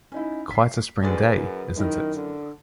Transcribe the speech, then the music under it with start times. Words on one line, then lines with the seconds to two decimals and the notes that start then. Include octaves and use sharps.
Quite a spring day, isn't it?
0.12 C#4 D#4 E4
0.51 B6 C7
1.03 D2 G#4 B4 A6
1.34 F#2
1.76 F#2 D#3 E4 A#4
2.15 D3